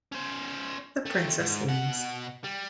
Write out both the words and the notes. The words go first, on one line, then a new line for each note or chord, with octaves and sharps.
The Princess leaves.
C#4 C5
A3 C4
G#2
B2 F#5
G3